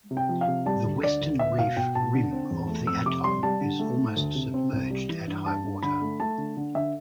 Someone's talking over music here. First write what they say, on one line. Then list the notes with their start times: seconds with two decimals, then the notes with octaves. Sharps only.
The western reef rim of the atoll is almost submerged at high water.
0.11 C3
0.17 G5
0.29 F3
0.41 F5
0.48 C3
0.66 G3 A5
0.84 D2
1.03 D3 D5
1.21 D2
1.39 B3 E5
1.58 B2 F5
1.77 B2 G5
1.95 B2 A5
2.14 D3
2.32 C4
2.51 E2
2.69 A3
2.87 F2 E6
3.06 C3 D6
3.24 G3 C6
3.43 G3 A5
3.61 D3
3.79 A3
3.98 A3
4.17 D2
4.35 C3
4.54 C4
4.72 C2
4.90 G3
5.09 E3
5.27 G2
5.46 G2 A5
5.65 G2
5.83 D3 B5
6.02 A3
6.20 A3 A5
6.38 D3
6.57 D3
6.75 D3 E5